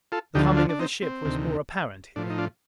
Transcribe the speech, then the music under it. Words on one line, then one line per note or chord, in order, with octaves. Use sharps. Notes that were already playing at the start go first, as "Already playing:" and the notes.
The humming of the ship was more apparent here.
F4 A4
D2 D3 F3 D#4 G4
D4 F4
D4
C4 D#4
C4
D2 C3 D#3
A2 F3 D4
D#4
D4 F4